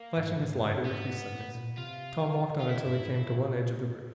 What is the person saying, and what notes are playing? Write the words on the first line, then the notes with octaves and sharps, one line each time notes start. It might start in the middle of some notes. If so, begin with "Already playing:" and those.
Flashing his light every few seconds, Tom walked on until he came to one edge of the roof.
Already playing: A#3
G#2
G#2
F#2
G2
A2
G#2 B3
A2
A#2
C3 F4
F4
C#3 E4
G2
A2
G#2
B2
A#2
A2
A#2